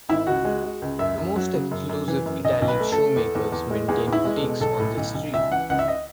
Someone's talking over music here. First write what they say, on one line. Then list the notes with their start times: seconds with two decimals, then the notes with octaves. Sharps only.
The most exclusive Italian shoemakers maintain boutiques on this street.
0.09 G#1 E4
0.27 C#2 F#4
0.45 G#3
0.63 G#3
0.82 C#2
0.99 F#2 E5
1.18 F#2
1.36 F#3
1.54 C#3
1.71 F#2
1.89 F#2
2.08 E3
2.26 F#2
2.45 B1 D#5
2.62 B1
2.68 B4
2.80 A3
2.92 A4
2.98 A3
3.16 E2
3.35 E2
3.52 E2
3.70 G#3
3.88 E2 G#4
4.07 E2
4.13 E4
4.25 G#3
4.37 A4
4.42 B2
4.60 B1 A4
4.80 A2
4.97 B1
5.15 B1
5.33 C#2 E5
5.51 E3 F#5
5.70 C#2 F#5
5.79 E5
5.88 D#5